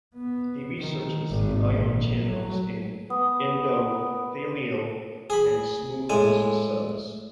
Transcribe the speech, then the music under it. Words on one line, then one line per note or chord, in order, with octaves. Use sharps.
He researches the ion channels in endothelial and smooth muscle cells.
B3
D#3
G#1
A#1
F#3
B3 D#6
G#4 B5
A2 G#3 G#5